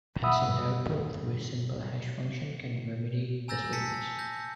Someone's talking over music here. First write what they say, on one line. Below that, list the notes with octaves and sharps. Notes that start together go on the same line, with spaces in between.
Passing the output through a simple hash function can remedy this weakness.
E5 F#5 B5 D#6 E6
G2
G#5 A#5 E6 G6 A6 A#6
A5 A6 B6 C#7
G6 A#6